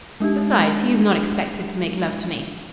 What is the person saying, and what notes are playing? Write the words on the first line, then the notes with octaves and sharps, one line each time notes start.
Besides, he is not expected to make love to me.
G#3 D4 D#4 G4